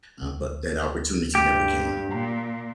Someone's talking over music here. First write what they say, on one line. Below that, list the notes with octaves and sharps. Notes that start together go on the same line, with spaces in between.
uh, but that opportunity never came.
D2
G2 G4
A#2